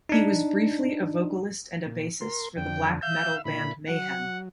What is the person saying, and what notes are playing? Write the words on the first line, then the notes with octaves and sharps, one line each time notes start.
He was briefly a vocalist and a bassist for the black metal band Mayhem.
D4 D#4
A#2
A#4 C6
F2 D3 G5
E5 F5 E6 G6
A#2 D3 E4 B5
F#3 F#5